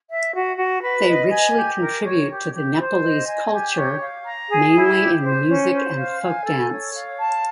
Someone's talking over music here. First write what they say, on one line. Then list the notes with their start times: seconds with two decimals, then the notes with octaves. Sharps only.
They richly contribute to the Nepalese culture mainly in music and folk dance.
0.09 E5
0.34 F#4
0.58 F#4
0.82 B4
1.07 D#5
1.31 G#5
1.56 G4
1.80 A#4
2.04 C#5
2.29 G4
2.54 G4
2.79 C5
3.03 D#5
3.27 G#5
3.51 G4
3.75 C#5
4.00 F5
4.25 A#5
4.49 G#4
4.74 E4
4.99 G4
5.23 C5
5.48 C#4
5.72 C5
5.96 F5
6.21 G#5
6.45 A4
6.70 C#5
6.95 F5
7.19 A5